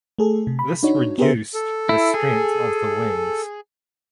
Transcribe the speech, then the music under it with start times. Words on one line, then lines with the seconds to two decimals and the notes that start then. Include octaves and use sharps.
This reduced the strength of the wings.
0.19 A3 G#4 A4
0.47 C3
0.59 B5
0.83 D4 D#4 F#4 C#5
1.18 B3 G4 G#4 A#4 C5 E5
1.54 A4
1.89 E4
2.14 G#4